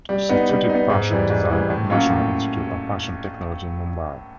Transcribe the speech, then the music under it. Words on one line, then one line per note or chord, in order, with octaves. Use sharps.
She studied fashion design at National Institute of Fashion Technology in Mumbai.
G3
B3 D#4
G3
B3 D#4
G#2
E3 G3
G#2
E3 G3
A2
F#3 A#3 C#4 F4
A2